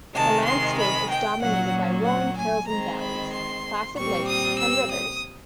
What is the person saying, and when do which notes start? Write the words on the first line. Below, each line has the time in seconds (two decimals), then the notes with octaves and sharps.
The landscape is dominated by rolling hills and valleys, placid lakes and rivers.
0.14 C3 D#3 G#3 A5
0.46 C6
0.78 B5
1.10 G5
1.41 A#2 F#3 A#3 C#4 F#5
2.05 F#5
2.37 G#5
2.68 D#3 G#3 C4 A#5
3.00 B5
3.32 C6
3.96 A#2 G3 C4 C#6
4.28 D#6
4.59 E6
4.91 D#6